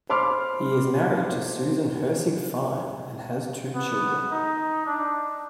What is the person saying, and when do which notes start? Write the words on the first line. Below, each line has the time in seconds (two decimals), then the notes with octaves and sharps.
He is married to Susan Hirsig Fine and has two children.
0.10 C5 B5 C6 D6 F6
3.75 B3
4.31 D#4
4.86 D4